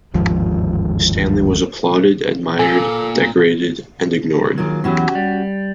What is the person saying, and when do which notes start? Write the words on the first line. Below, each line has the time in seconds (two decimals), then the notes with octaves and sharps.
Stanley was applauded, admired, decorated-and ignored.
0.14 G1 D#2 G#2 F3
2.59 A#2 A4 G#5
4.58 D#3 F#3 A#3 F4 G#4
4.84 E2 E3 F#3 C#4 F#4 G4
5.15 G3